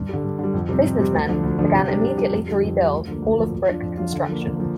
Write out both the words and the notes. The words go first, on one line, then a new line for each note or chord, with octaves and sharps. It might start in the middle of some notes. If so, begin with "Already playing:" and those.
The businessmen began immediately to rebuild, all of brick construction.
Already playing: G2
D3 G3
G2
D3 G3
F2
C3 G3 C4
F2
C3 G3 C4
D2
D3 F3 D4
D2
D3 F3 D4
C3
G3 D4 G4
C3
G3 D4 G4
F2
D3 G3
F2
D3 G3
D2
D3 F3 A#3
D2
D3 F3 A#3
F2
F3 D4 F4
F2
F3 D4 F4
D3
F3 A#3
D3
F3 A#3